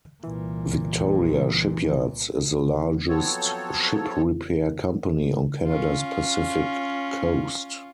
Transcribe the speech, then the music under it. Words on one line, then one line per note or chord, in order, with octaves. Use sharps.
Victoria Shipyards is the largest ship repair company on Canada's Pacific coast.
C2 A#2 E3
F3 F#3 B3 C4 A4 C#5
C#4 F4